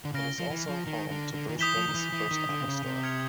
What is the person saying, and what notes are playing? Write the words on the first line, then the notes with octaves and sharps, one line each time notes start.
It is also home to Brisbane's first Apple Store.
D3
C#3 F6 A#6 D7 G7
F3
E3
F3
D#3
D3
D3
D#3
E3 D#6 G6 B6 E7 G7
F3
D#3
E3
E3
D#3
D3
C3
C#3
C3
F6 G#6 C#7 F7